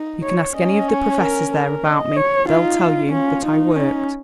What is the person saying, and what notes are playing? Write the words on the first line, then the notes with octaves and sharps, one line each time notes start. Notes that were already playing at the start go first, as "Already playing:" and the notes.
You can ask any of the professors there about me. They'll tell you that I worked.
Already playing: D#4
C#5
C#4 D#5
C#5
A#4
A#4
D#5
C#5
D#4 F4
C#4 F4
D#4
C#4 D#4